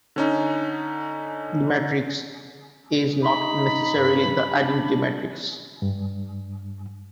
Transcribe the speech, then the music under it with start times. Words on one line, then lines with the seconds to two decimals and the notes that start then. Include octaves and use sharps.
The matrix is "not" necessarily the identity matrix.
0.16 D3 C#4 D#4
3.22 D#4 B5
3.96 G2
4.53 D4
5.82 G2